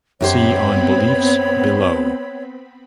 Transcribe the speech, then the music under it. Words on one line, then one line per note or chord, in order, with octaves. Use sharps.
See on "Beliefs" below.
F#2 B3 C4 G4 C5 C#5 B5